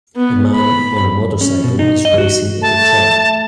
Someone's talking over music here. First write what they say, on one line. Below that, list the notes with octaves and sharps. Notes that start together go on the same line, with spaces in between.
A man on a motorcycle is racing at a track.
B3
B5
C#4
B2
D#4
D#5
F#4
A3 A5